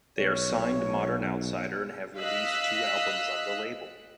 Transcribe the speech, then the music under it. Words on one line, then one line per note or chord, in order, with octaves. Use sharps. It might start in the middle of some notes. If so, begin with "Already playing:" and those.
They are signed to Modern Outsider and have released two albums on the label.
B1 C#5
D#5 F5 E6 F#6 B6